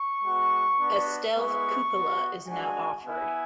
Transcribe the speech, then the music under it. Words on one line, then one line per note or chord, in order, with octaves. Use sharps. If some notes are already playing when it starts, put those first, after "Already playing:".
A stealth cupola is now offered.
Already playing: C#6
G#3 B3 F#4
B3 D4 F#4
G#3 B3 E4 C#6
B3 F#4
G#3 D4 F#4 G#5
B3 E4 G#5